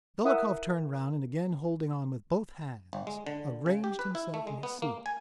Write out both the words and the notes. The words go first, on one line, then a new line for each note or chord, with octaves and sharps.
Dolokhov turned round and, again holding on with both hands, arranged himself on his seat.
E4 A#4 E5 F#5 D#6
G1
G#3
D3
C#3
G4
B4
E4
A3
G#3
B3
A#3
G#5